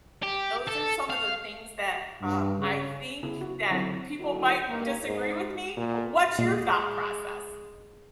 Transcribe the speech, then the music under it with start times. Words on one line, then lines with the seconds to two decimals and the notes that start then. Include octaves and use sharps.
those are some of the things that, um, I think that people might disagree with me. Uh, what's your thought process?
0.23 G4
0.68 A4
1.10 F5
2.21 G2
2.59 C#3
3.23 C#3 B3 E4
3.41 F#4
3.70 D3 F#3 C4 E4 A4 C#5
4.18 D3 D#3 F#3 E4 F#4
4.68 G2 D#3 A#3
5.05 G#2
5.76 A#2
6.39 A#2 G#3